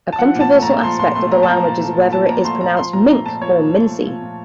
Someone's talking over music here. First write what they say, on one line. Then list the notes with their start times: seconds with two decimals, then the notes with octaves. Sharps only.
A controversial aspect of the language is whether it is pronounced "mink" or "min-see".
0.12 A5
0.18 F3 F#5
0.35 A#2 A5
0.51 A3
0.62 A#5
0.68 A#2
0.83 F3 C6
0.99 A#2 C6
1.15 A3 C6
1.32 A#2 A#5
1.43 A5
1.48 F3 A#5
1.64 A#2
1.80 A3
1.97 A#2
2.13 F3 A5
2.29 A#2 A#5
2.45 A3 C6
2.61 A#2 A#5
2.77 F3 C6
2.93 A#2 A#5
3.10 A3 A#5
3.26 A#2 A5
3.41 F3 C#5
3.58 A#2
3.74 A3
3.90 A#2
4.06 F3
4.23 A#2